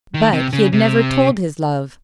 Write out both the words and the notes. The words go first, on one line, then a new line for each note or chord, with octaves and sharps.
But he had never told his love.
D#3
C3
C#3
C3